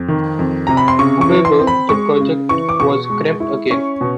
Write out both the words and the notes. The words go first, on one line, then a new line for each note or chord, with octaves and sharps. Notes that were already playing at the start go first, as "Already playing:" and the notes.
However, the project was scrapped again.
Already playing: F2
D#3
F2
C3 A#5
B5
C6
C#3 C#6
C#6
E3
C6
C4
B5
G#3 C#6
C#3
E3 C#6
D6
B2 C#6
G#3
E4
C#4 C#6
B2